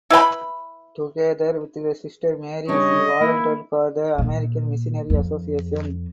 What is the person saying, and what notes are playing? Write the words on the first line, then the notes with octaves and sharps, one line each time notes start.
Together with her sister Mary she volunteered for the American Missionary Association.
E4 B4 G5 B5
C#3 G3 D4 C#5 D#5
A#3 E4
A#2
F2